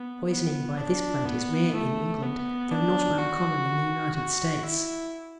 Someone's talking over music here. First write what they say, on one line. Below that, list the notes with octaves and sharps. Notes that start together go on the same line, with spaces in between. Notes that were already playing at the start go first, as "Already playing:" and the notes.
Poisoning by this plant is rare in England, though not uncommon in the United States.
Already playing: B3
B3
D4
B3
A3
B3
D4
F#4
F#4
E4